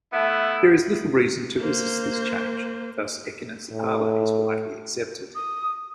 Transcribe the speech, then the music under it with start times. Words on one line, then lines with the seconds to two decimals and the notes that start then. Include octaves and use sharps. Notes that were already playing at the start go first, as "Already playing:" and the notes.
There is little reason to resist this change, thus "Echinosepala" is widely accepted.
0.12 A3 B3 E4
1.57 A#3 C5
3.71 A2
5.35 D#6